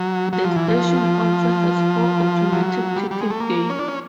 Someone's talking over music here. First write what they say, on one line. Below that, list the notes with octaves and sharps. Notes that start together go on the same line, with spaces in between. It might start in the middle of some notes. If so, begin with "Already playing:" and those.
The station also has four automatic ticket gates.
Already playing: F#3
F#3
F3
E3
F3
F#3
G3
G3
G#3
A3
A#3
C#4
D4
C#4